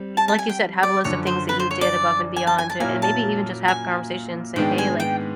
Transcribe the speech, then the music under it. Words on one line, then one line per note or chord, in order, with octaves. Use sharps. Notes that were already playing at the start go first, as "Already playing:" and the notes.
y like, you said, have a list of things that you did above and beyond, and maybe even just have conversations, say, "Hey, like,
Already playing: G3 C4
A5
A5
G#5
G5
D5
F#2 D3 F3 C#5
C5
B4
C5
C#5
D5
G#5
A5
G#5
A5
A#2 F#3 A#3 C#4 E4 G#5
A5
G#5
G#2 D#3 G#3 B3 D4 G5
G#5
G5